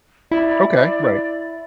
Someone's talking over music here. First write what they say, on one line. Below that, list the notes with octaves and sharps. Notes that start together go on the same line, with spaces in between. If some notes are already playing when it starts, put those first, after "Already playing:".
Okay, right.
E4 D5